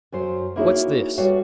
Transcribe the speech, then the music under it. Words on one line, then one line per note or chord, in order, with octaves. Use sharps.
"What's this?"
F#2 F#3 C5
A#3 D#4 E4 F#4 G#4 C#5
G3 A3 F#4 B4 C#5 F5